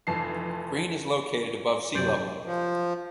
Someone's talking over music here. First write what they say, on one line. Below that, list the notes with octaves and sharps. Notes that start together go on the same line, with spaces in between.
Green is located above sea-level.
F1 F2 E3 A5 C7
F#2 C3 C5 D5
F3